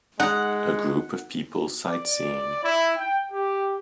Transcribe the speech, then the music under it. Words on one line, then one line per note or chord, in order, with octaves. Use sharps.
A group of people sightseeing.
G#3 D#4 F#5
D5
E4
G5
G4